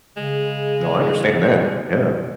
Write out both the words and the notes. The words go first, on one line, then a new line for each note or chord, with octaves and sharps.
No, I understand that. Yeah.
C#3 G#3